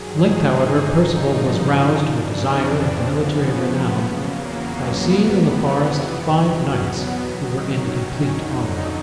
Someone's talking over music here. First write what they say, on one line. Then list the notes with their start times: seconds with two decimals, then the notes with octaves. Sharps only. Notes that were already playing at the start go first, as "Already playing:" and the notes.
At length, however, Perceval was roused to a desire of military renown by seeing in the forest five knights who were in complete armor.
Already playing: G2 D#3 F#3 G#4
0.31 D#4
0.84 G2 D3 F3
1.90 F2 C#3 E3 D4
2.43 C4
2.95 F#2 C#3 F3 B3
4.00 E2 C#3 F#3 A#3
4.53 B3
5.06 F2 C3 E3 B3
6.12 E2 B2 F#3
6.64 B3
7.17 F#2 D#3 F#3
7.70 C#4
8.23 F2 D3 F#3 D#4